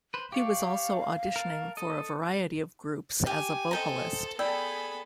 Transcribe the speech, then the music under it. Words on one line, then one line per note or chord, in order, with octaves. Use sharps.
He was also auditioning for a variety of groups as a vocalist.
B4 C5
G4 C#5 D5 F5
A#4 A5
A4 D#5
G4 G5 G#5
A4 C5 D#5 G5 A#5
B3 G#4 A4 D5 G5 B5 E6